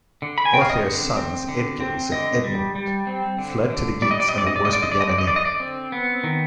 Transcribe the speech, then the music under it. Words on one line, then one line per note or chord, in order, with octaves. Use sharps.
Ohthere's sons Eadgils and Eanmund fled to the Geats and the wars began anew.
D3
B5
G#5
C4 G5
F5
D#5
D3
C4
D3
C4
D3 D#5
G3
G3
C4
D3
D3
G3 D5
D#5
D5
D#5
C4 D5
D#5
D5
D3 D#5
D5
D#5
D5
D3 D#5
D5
D#5
D3 D5
D#5
D5
C4
B3
D#3